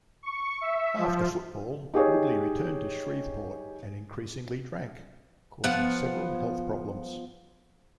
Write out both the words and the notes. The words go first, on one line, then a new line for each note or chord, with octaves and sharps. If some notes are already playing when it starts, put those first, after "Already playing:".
After football, Woodley returned to Shreveport and increasingly drank, causing several health problems.
C#6
E5
F3
D#4 G4 G#4 C#5
F3 B3 F#5